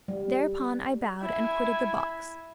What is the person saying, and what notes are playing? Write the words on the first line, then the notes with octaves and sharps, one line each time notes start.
Thereupon I bowed and quitted the box.
G3
E4 G#5